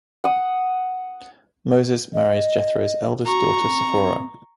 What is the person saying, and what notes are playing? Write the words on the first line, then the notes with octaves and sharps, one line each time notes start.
Moses marries Jethro's eldest daughter Sephora.
F#5 D#6
D#5
F#4 A#5 C#6
C4